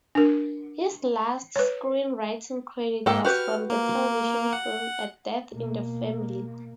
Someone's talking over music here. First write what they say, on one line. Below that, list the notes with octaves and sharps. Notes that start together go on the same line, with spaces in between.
His last screenwriting credit was from the television film "A Death in the Family".
D4 A#4
B4 C#5
G#2 A#3 A4 G5
F#4 G4 B4 F6
A#3
F#5
B2 A#3